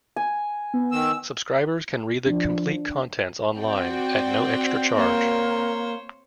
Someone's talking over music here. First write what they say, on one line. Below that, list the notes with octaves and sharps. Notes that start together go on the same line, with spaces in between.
Subscribers can read the complete contents online at no extra charge.
G#5
B3
D#3 E6
F3 D4
C4 F#4 D5 G5
A#3 C5 C#5